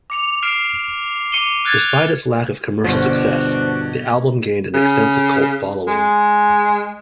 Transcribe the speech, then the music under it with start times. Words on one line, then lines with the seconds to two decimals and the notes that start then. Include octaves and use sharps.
Despite its lack of commercial success, the album gained an extensive cult following.
0.10 D6 C#7 F7
0.43 F6 C7 D7 E7
1.32 D6 C#7 D#7 E7 G7
1.65 F6 F#6 G#6 A6 C#7 F7
2.84 G1 B2 D4 F#4 C5
4.74 C#3
5.87 G#3